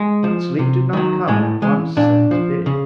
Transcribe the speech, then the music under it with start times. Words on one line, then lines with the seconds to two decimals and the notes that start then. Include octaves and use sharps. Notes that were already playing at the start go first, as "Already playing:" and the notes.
But sleep did not come at once at his bidding.
Already playing: G#3
0.24 F3
0.59 C3
0.93 D#3 F#3
1.28 A2 G#3
1.62 E3 G#3
1.97 A#2 D4
2.31 F3
2.66 C#3